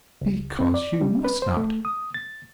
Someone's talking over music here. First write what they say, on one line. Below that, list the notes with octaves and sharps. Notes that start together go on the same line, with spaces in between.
'Because you must not.
C#2
C4
D5
G3
B4
C5
A3
D#6
A6